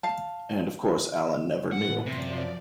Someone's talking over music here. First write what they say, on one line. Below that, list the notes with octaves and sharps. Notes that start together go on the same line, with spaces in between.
And of course Alan never knew.
F5 A5
A2 E3 B3 F#5
F#2 C3 F3 D5